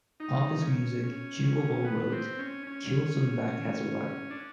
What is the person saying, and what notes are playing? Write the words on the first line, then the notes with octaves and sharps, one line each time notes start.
Of his music, Hugo Ball wrote, Huelsenbeck has arrived.
D#4
C#4
C#4
C#4
B3
C4
C#4
C#4
D4